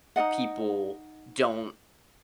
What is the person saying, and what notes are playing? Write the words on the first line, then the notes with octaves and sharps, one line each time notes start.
people don't
D#4 F#4 D#5 F#5